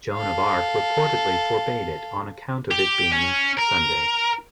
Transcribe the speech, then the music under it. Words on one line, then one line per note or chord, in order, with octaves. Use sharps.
Joan of Arc reportedly forbade it, on account of it being Sunday.
A4 F5
G4
C#4
A#4